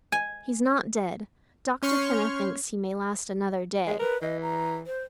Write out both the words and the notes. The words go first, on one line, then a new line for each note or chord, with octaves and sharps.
He's not dead; Doctor Kenneth thinks he may last another day.
G#5
C#4 C#5 C6 C#6 F6 G6
G#3 G#4
A#4 B4
E3 D#5
A#5
C5